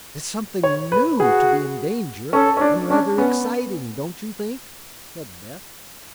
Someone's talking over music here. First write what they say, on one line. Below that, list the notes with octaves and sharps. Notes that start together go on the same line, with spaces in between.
"It's something new to be in danger, and rather exciting, don't you think?" said Beth.
C#5
B4
F#4 G#4
C#4 A4
C#4
D4
C#4 D4
B3 C#4